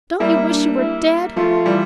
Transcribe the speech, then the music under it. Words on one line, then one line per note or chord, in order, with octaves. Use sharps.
Don't you wish you were dead?
G3 A#3 E4
D4
E4
F3 A3 F4
E3 G3